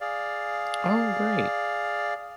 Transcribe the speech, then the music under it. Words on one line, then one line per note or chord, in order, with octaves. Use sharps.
Oh, great.
G#4 D5 F5